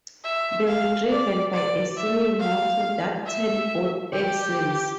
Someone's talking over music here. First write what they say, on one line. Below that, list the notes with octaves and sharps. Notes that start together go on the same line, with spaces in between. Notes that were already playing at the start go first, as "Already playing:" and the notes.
They were driven by a single motor that turned both axles.
E5
F5
D5
D5
E5
F5
E5
G4